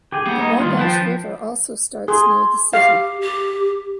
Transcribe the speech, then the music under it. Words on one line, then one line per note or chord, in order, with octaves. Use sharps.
The Wabash River also starts near the city.
G4 G#4 G#5
A#3 F#5
D#4
G2 D#3 F4
F3 B4 G5 A5
G#4 C6
G4 F5
G4